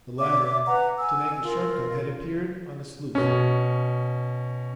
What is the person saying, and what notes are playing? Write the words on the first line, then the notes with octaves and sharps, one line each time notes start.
The latter, to make a short cut, had appeared on a sluice.
C#5 D5 E5 D6
B4 F#5 A#5
G#5 E6
F4 A#4
B2 C#4